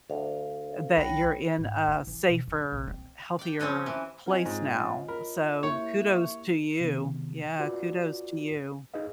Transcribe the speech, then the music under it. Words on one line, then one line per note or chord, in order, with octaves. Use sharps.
that you're in a safer, healthier place now, so, kudos to you, yeah, kudos to you.
D2 F5
C2 C#5 F#5 G5 B5 A#6
G#2
E4
E3
B2
F#2
A#1
C4
D5 G5
F3 C4 C#4 G4
E3
C4 F4 C5 C#5 D#5 G#5
G#2
A#4 B5
A#3 E4 G4 C#5 E5 C#6
C3 D#3 B3
F4 F#4 B4 D5
D#4 G#4 B4 D#5 F5